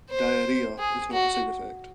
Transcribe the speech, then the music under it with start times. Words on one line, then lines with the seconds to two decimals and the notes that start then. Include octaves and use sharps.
Diarrhea is not a side effect.
0.10 C5
0.79 G#4
1.13 F#4